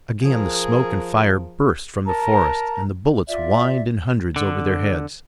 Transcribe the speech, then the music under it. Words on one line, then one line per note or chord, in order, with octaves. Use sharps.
Again the smoke and fire burst from the forest, and the bullets whined in hundreds over their heads.
F3 G#4 A#4
A#4 A5 A#5
F4 D5 E5
D3